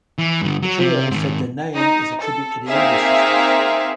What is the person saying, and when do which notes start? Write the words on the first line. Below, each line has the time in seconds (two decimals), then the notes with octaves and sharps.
The trio has said their name is a tribute to The Andrews Sisters.
0.18 E3
0.42 G2 D3
0.62 F#3
0.79 C3
1.11 G#2 D#3
1.75 D#4
2.20 A4
2.67 A#3 C4 D#4 G#4 E5 F5